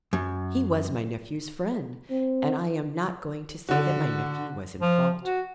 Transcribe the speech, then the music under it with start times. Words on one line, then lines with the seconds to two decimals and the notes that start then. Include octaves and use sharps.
He was my nephew's friend, and I am not going to say that my nephew was in fault.
0.13 F#2
2.11 C4
3.69 D3 F#4
4.81 F3
5.24 F#4